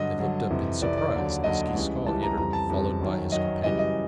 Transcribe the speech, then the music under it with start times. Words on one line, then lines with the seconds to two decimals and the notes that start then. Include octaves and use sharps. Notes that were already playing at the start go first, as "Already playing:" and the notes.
They looked up in surprise as Giscon entered followed by his companion.
Already playing: G2 D3 F#3 D#5
0.19 G2 D3 F#3
0.50 F2 C3 E3
0.82 F2 C3 E3 D5
0.97 D5
1.13 D#2 D3 F#3
1.44 D#2 D3 F#3 D#5
1.75 C#2 C#3 E3 G3
2.06 C#2 C#3 E3 G3 A5
2.23 A#5
2.38 F2 C#3 E3 G3 A#5
2.53 A5
2.70 F2 C#3 E3 G3
3.01 F#2 D#3 F#3
3.32 F#2 D#3 F#3 D#5
3.64 F#2 C#3 E3 G3 D#5
3.79 D#5